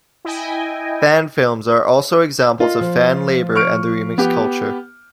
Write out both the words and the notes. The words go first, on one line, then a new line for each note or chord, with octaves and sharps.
Fan films are also examples of fan labor and the remix culture.
E4 D#5 G5 G#5
F4 A#4 D#5
F3
C#6 F6 D7
B3 G4